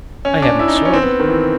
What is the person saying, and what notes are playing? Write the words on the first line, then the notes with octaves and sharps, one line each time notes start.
"I have my sword."
C#4
D4
E4
D#4
D4
C#4
C4
B3
D#3
E3